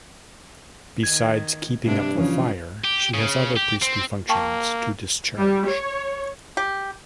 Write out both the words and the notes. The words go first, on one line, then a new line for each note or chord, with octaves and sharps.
Besides keeping up the fire she has other priestly functions to discharge.
D#3 G#6
G2 C3 D4
C#3 E3 F3 C#4 F4
G4
C#3
G4
C4
A#3 G5 A5 C#6
G3
C#5
G4